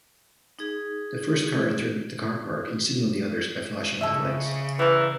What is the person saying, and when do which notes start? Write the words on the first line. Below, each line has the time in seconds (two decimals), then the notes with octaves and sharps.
The first car entered the car park and signaled the others by flashing headlights.
0.59 D#4 G#4
4.01 C#3 A4 D#5 E5
4.79 E3 G3 A#4